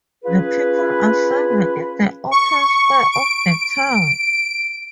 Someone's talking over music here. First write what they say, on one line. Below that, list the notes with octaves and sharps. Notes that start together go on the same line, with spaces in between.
The people assemble in the open square of the town.
C#4 F4 G#4 B4
C#6
D7